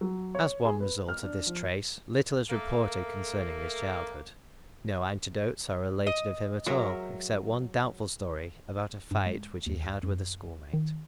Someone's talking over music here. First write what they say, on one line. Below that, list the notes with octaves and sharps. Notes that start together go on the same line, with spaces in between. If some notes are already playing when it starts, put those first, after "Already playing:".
As one result of this trait, little is reported concerning his childhood. No anecdotes are related of him at all, except one doubtful story about a fight which he had with a schoolmate.
F#3
C#5
G#4
B4
F6
D4
F3
A3 A#3
D#5
F#3 G#3 A#4 E5
G2
G#3
D#2
F#2
D#3